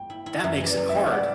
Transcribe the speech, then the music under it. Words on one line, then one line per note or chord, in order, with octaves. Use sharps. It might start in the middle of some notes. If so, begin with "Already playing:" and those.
That makes it hard!
Already playing: G5
E4
E4
F#2 E5
E3
D5
F#2
E5
G3
D5 F#5